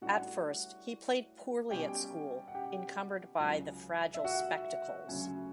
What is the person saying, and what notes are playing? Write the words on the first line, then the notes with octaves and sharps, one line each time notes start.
At first, he played poorly at school, encumbered by the fragile spectacles.
A2 G3 D4 F#4 F#5
B2 G3 C#4 G4 G5
F#5
G4 G5
C#2 C#3 F#3
E5
F#4 F#5
D2 C#3 F#3 C#4